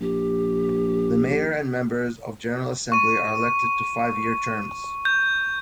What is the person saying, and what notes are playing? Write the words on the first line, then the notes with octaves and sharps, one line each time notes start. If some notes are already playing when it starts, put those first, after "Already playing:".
The mayor and members of General Assembly are elected to five-year terms.
A#1 G4
C#6 D#7
G6